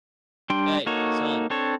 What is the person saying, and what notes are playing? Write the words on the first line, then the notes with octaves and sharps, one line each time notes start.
"Hey, son,
G3 D4 G5 C6
A#3 D#4 F#4 A4 C#5
C4 D4 A4 C#5